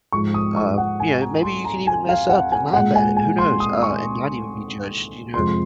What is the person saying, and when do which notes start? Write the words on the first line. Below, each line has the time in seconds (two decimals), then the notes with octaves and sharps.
um, you know, maybe you can even mess up and laugh at it, who knows, uh, and not even be judged, you know
0.12 G#2 F3 G#3 C#6
0.34 D#6
0.56 C#6
0.78 F#5
1.00 G#5
1.21 A#5
1.43 C6
1.65 A#5
1.87 G#5
2.09 F5
2.29 F#5
2.52 G#5
2.73 A#2 G#3 F#5
2.95 G#5
3.17 G#5
3.38 C6
3.60 D#6
3.83 C#6
5.34 F2 C3 F3 G#3 C6